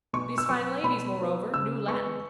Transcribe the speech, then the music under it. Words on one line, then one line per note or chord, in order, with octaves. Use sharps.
These fine ladies, moreover, knew Latin.
B2 C#6
E6
F#3 B3 C#6
B2 B5
F#3 B3
C#3 E6
G#3 B3 C#6